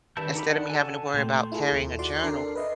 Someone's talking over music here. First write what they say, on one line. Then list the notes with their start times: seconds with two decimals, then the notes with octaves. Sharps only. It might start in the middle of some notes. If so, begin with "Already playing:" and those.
instead of me having to worry about carrying a journal,
0.17 G2 D3 D#3 E4 A5 G6
0.35 D#4 G4 B5
0.48 D4 A4 F#5
0.70 F#4 A4 G#5 A5
1.14 A#2 A3 G5 C6
1.52 E4 F4 G#4 A4
1.72 D#2
1.99 F#4 D5 F#5 C6 D6
2.23 D4 A4 A#4 C7
2.55 B4 D#5 E5